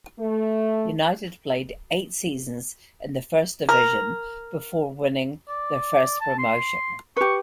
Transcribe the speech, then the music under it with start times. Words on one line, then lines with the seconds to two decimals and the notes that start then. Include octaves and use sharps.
United played eight seasons in the First Division before winning their first promotion.
0.19 A3
3.69 A#4
5.48 D5
6.21 A5
6.39 C6
7.17 G4 B4 C#6